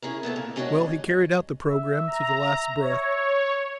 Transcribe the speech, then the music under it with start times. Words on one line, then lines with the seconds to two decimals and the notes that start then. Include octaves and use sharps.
Well, he carried out the programme to the last breath.
0.02 C#4 E4 G#4 A#4
0.23 A#2 B3 A4 E5
0.36 A#3
0.56 G#3 D4 F#4 A4 C#5 D#5
1.70 E5
2.07 A#5
2.81 C#5